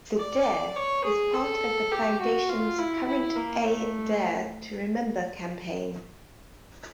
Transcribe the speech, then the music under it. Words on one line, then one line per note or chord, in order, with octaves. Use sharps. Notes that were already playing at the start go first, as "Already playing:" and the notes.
The "dare" is part of the foundations current A Dare to Remember campaign.
D5
C#5
G#4
A4
G4
F#4
F4
E4
E4
A#3
A3